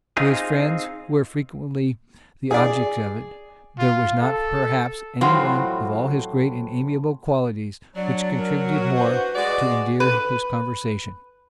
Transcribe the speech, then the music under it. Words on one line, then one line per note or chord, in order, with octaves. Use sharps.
To his friends who were frequently the objects of it, there was not perhaps any one of all his great and amiable qualities which contributed more to endear his conversation.
C4 D#4 F4 G#4
G#4 D5
F4
A4
A2 E3 F#3 C4 F4 F#4
F#3 D4 D5
A#4
F#4
E3 D4 B4 C5
G#3 F#4 D5
B4